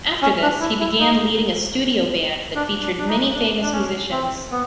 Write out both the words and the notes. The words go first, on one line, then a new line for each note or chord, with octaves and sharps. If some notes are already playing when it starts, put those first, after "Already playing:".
After this, he began leading a studio band that featured many famous musicians.
C#4
D4
E4
E4
D#4
D4
D4
D4
D#4
D4
D4
C#4
C4
B3